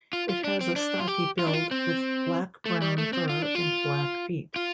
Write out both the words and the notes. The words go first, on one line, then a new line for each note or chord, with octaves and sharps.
It has a stocky build with black-brown fur and black feet.
F4
F4
D4
C4
D4
F4
G4
F4
D4
F4
C4
A3
G3
A3
C4
F4
D4
F4
F4